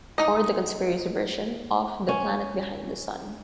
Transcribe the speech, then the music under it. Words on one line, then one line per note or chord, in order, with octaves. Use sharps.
Or the conspiracy version of the planet behind the sun.
D#4 D#5
C#4